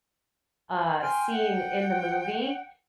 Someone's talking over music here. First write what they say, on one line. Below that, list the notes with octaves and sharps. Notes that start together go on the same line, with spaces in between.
uh, scene in the movie.
G5 G#5 C6 F6
F#5 G5